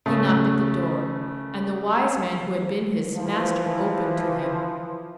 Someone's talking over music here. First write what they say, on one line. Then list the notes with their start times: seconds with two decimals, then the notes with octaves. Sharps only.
He knocked at the door, and the wise man who had been his master opened to him.
0.06 C#3 A3
3.15 E3 F3